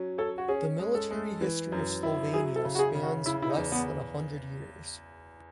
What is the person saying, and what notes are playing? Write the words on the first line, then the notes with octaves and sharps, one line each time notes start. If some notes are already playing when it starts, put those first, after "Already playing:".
The military history of Slovenia spans less than a hundred years.
Already playing: F#3 C#4
A4 C#5
F#4
C#4 G#4
G#3
A4
G#3
E3
F#2
E4
F#3 G#4
A4
C#3
F#4
G#4
C#3
F#4
C#3 E4
E4
D#4
E2
B3